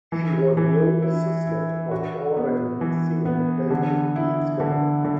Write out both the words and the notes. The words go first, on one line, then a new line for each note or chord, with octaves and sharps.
She was the older sister of R and B singer David Peaston.
E3
E3
E4
E4
F#4
B3
E3
B3
D3
E4
D3
D3